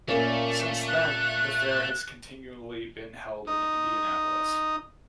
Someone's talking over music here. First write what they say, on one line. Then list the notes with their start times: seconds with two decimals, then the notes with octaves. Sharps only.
Since then, the fair has continually been held in Indianapolis.
0.08 A#2 A3 A#3 C#4
0.88 F#6
3.47 D#4 D#6